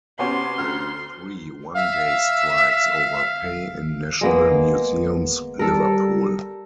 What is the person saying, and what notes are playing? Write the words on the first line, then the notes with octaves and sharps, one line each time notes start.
Three one day strikes over pay in National Museums Liverpool.
C3 B3 C#4 F#4 C6
D2 F6
E5 F5
G#3 A#3 B3
G3 A4 A#4